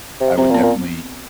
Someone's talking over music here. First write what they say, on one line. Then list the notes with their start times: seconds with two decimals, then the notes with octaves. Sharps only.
I would, definitely,
0.21 C3
0.38 C3 C4
0.50 A#2
0.54 B3
0.63 A#2